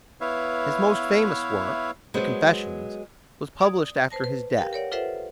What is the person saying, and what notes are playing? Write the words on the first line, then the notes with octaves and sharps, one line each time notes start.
His most famous work, the "Confessions," was published after his death.
B3 E4 B4 C#5 E5 F5
F#3 G#3 B3 C5
D5 D#6 G#6
B4 C5 A5 A#6
B4
G4 A#4 F5 G5
A#4 C#5 D5 F#5
F4 A4 B4 C5 E5 F#5